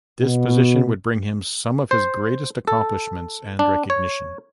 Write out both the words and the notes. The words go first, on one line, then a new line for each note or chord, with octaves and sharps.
This position would bring him some of his greatest accomplishments and recognition.
B2
C5
A4
D4
C#5